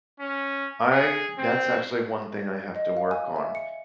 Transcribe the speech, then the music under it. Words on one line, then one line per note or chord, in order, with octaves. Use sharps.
I that's actually one thing I have to work on.
C#4
G#4
C4
D#5
F5
G#5
E5
C#7